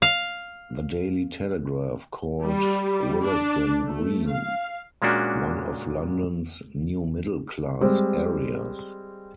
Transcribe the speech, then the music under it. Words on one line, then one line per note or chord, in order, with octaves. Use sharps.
The Daily Telegraph called Willesden Green one of London's "new middle class" areas.
F5
G3
D4
A3
F5
A#2 G#3 A#3 C#4 D4 F#4
G3 G#3 C4